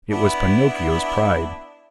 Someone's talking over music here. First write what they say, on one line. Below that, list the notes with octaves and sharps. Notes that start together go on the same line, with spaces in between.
It was Pinocchio's pride.
B3 D4 E4